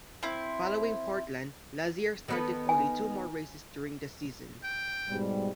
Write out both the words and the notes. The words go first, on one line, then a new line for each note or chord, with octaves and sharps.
Following Portland, Lazier started only two more races during the season.
C4 E4
D#3 B3 A4
G#5
G5
G#2 B2 G3